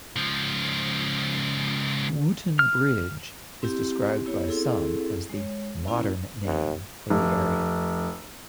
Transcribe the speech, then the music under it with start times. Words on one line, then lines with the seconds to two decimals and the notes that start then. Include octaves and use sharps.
"Wootton Bridge" is described by some as the "modern name" for the area.
0.16 C#2 F3
2.59 F6
3.62 C4 E4 G4
4.26 B3 E4 G4 C#5
4.47 C4 E4 G#4 A4
5.30 G#3 C#5
5.88 A#3 C#4 E4
6.45 D#2
7.10 F1